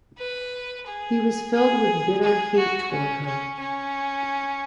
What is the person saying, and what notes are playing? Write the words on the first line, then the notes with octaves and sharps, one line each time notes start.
He was filled with bitter hate toward her.
B4
G#4
G#4
G#4
F#4
C#4
C#4
C#4